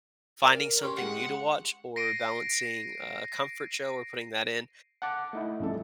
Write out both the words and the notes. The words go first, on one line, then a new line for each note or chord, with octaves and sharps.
finding something new to watch, or balancing a comfort show, or putting that in,
A#4 D5
C#4 G4 C5
G#3 F#5
A#6 C7 D7 D#7
F#5 A5 D6
A3 D#4 E4
A#1 G2 A4